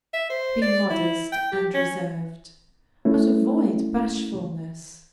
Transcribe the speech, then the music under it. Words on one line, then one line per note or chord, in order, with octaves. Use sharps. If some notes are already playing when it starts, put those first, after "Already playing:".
Be modest and reserved, but avoid bashfulness.
E5
C5
D5
E4
G5
G4
C#4
A3 C#4 E4